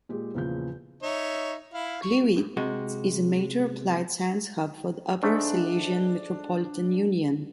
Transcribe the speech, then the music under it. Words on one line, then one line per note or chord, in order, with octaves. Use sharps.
Gliwice is a major applied science hub for the Upper Silesian Metropolitan Union.
A#2 G#3 G4
E2 A#2 C#3 F3 G6
D#4 C#5 E5
E4 F5
C#6
C3 G#3 F#4
G#2 A3 D4